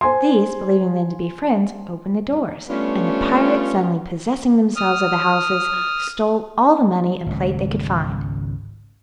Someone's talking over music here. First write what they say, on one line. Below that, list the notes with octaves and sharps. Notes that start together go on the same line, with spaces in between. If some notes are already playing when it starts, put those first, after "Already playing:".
These, believing them to be friends, opened the doors; and the pirates, suddenly possessing themselves of the houses, stole all the money and plate they could find.
C5 G#5 C6
G3 A3 B3 C#4 D4 F4
D#6 F6
G#1 C#2 G#2